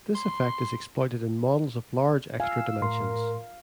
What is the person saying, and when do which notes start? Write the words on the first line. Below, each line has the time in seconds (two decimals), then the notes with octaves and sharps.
This effect is exploited in models of large extra dimensions.
0.15 C6
2.40 F5 G#5 E6
2.81 A2 A#4 C6